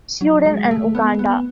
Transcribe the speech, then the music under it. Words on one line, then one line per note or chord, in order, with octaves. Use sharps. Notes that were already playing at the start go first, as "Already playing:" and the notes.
Sudan, and Uganda.
F#3
G#3
A3
B3
B3